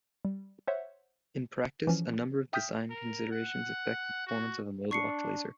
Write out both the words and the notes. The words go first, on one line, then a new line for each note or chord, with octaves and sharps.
In practice, a number of design considerations affect the performance of a mode-locked laser.
G3
C5 C#5 E5 F#5
E3 F3 C#4
E5 G5 D#6 F6 G6 B6
A#4
F#5
F#4
D4 C#6 C7 C#7